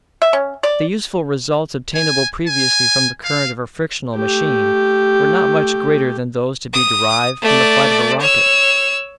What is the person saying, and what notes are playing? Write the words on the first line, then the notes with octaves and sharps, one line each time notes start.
The useful results obtainable previously from the current of a frictional machine were not much greater than those to be derived from the flight of a rocket.
E5
C#4
D5
G#5
G#5
F5
A3 G4
D#6
A3 D5
C#5 E6